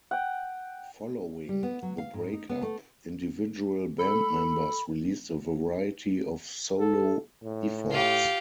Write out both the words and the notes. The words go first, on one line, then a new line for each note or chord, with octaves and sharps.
Following the breakup, individual band members released a variety of solo efforts.
F#5 G5
G3
B3
F#3
F5
G#2
D#4
B3
A3
A4 B5
A4
A2
F4 G4